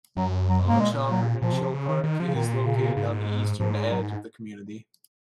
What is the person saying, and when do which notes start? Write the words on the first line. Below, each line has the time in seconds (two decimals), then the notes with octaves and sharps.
Bonshaw Provincial Park is located on the eastern edge of the community.
0.17 F#2 F#3
0.49 F#3
0.68 G#2 A#3
0.79 A#2 G#3
1.11 F#3
1.42 A#2 F3
1.52 C3
1.62 C3
1.73 C#3
1.89 D#3
2.04 D#3
2.20 F3
2.27 C#3
2.35 A#2 D#3
2.66 C#3
2.76 C3
2.85 C#3
2.97 G#2
3.60 G#2 F3
3.91 F#3